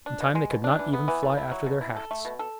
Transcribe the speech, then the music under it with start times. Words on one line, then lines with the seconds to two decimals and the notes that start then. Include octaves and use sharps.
In time they could not even fly after their hats.
0.06 D4
0.21 B2
0.35 G#3
0.50 B2
0.64 D4
0.79 E3
0.93 B3
1.08 E3
1.23 A3
1.37 E4
1.52 F#3
1.66 B2
1.81 E4
1.96 A4
2.11 A3
2.25 B2
2.39 A4